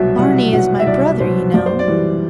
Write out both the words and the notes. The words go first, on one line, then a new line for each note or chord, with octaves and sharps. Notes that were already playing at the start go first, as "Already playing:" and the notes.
"Barney is my brother, you know."
Already playing: C2 B2 F#3 E5
C2 F#5
B2 F#3 F#5
E5
C2 D5
B2 F#3 C5
F#2 D5
C5
D5
E3 G3